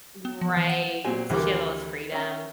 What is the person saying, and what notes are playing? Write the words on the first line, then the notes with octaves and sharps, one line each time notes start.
Right. So, she has all this freedom,
B3
F3
E3
F#5
A#2 F#3 C4 G#5
D2 E3 G3 A#4 D6
C#4 E5 A#5